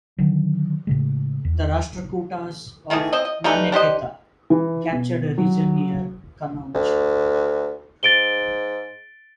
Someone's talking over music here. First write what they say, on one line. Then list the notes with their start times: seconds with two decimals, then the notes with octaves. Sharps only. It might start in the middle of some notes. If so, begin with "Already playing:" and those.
The Rashtrakutas of Manyakheta captured a region near Kannauj.
0.18 D3 D#3 F#3
0.87 A2 C#3 G#3
1.45 E2
2.90 D#3 E3 A3 G#4
3.13 C4 D#5
3.25 D#5
3.44 G3 A3 D#4 B4
3.72 D4 G4 C5 D#5
4.50 E3
4.92 B2
5.38 F#3
6.75 D2
8.03 G#2 A6 D7 G7